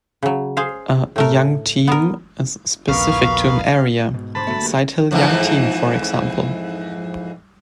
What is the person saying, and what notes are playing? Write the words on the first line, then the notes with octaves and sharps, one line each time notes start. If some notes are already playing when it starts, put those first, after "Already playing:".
A "Young Team" is specific to an area: "Sighthill Young Team", for example.
C#3 F#3
G#4 C5 F5
A2 A3 A#4
B3 A#4
A#1 D#2 A#2 B3 A#4 F5 B5 C#6
G#2 B2
D3 C5 A5 B5 D6
D3 F#3 A3
A#3 G4 B4
F2 G#2 E3